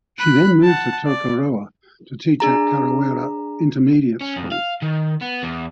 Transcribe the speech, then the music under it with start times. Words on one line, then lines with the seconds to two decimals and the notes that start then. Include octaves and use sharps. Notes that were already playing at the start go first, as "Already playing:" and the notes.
She then moved to Tokoroa to teach at Kawerau Intermediate School.
0.19 B5 F#6
0.63 F#5 A5
1.06 D5
2.40 D4 G#4 A#5
4.21 C#4
4.37 F2
4.52 F5
4.83 D#3
5.22 B3
5.43 E2